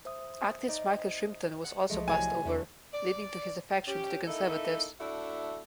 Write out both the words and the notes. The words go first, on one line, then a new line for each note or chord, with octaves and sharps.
Activist Michael Shrimpton was also passed over, leading to his defection to the Conservatives.
C5 E5 D#6
D#4 D5
F#5
C2 F3 G#3 A3 D#5
A2 C3 F#3 G#5
E2 D3 A3
D5
C#4 G4
A#3 D#4 E4 A4 E5
A3 D4 E4 F#4 A4 E5